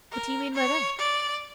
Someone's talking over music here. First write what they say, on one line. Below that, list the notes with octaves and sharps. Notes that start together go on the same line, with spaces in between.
"What do you mean by that?"
A#4
C#5
D5